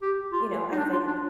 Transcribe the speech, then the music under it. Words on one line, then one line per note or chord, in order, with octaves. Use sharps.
you know, I think
G4
F4
D#4
D4
F4
D4